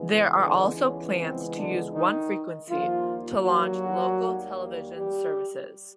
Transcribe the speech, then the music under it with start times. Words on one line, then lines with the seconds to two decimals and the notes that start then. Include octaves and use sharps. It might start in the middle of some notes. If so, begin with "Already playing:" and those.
There are also plans to use one frequency to launch local television services.
Already playing: C#2 C#3 E3 G#3 B3
0.41 D3 D4
0.79 C#4
1.18 C4
1.55 D3 D4
1.92 D#3 D#4
2.68 D#2 D#3 F3 G3 A#3 F4
3.43 F#3 F#4
4.95 G3 G4